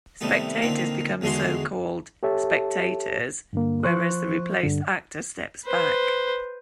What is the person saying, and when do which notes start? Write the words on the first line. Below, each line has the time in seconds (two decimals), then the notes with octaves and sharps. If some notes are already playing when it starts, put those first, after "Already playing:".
Spectators become so called "spect-actors", whereas the replaced actor steps back.
0.21 C3 D#3 G3 A3 B3
0.62 A#2 D3 D#3 A#3 C4
1.21 E2 D3 D#3 G#3 F#4 C6
2.23 G4 A4 C#5 E5 A5
3.53 G2 D3 A#3
3.84 F3 C5 C#6 F#6
4.63 G2 D3
5.66 B4 C5